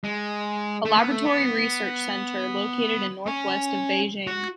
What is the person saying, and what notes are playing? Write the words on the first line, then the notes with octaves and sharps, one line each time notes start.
A Laboratory Research centre located in northwest of Beijing.
G#3
A3
B3
A3
B3
C#4
F#4